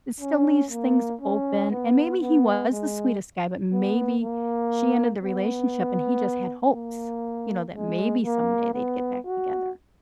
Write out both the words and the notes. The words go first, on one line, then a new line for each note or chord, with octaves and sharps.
it still leaves things open. And maybe he was the sweetest guy, but maybe she ended the relationship, and he just had hopes, you know, that maybe someday they'd get back together.
C#4
A#3
C#4
B3
B3
G#3
B3
A#3
B3
A#3
G#3
A#3
B3
F#4